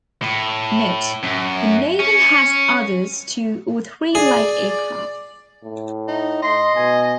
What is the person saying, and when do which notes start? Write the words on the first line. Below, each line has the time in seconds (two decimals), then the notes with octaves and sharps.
Note: The Navy has others two or three light aircraft.
0.22 A2
1.23 F#2
2.00 C#4
4.15 G#4 D5
5.64 A2
6.08 D#4
6.43 D#5 C6
6.76 B2 G#5